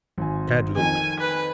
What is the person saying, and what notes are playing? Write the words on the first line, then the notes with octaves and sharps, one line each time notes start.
Tad looked.
G#1 G#5
F2 D#3 G#5
B4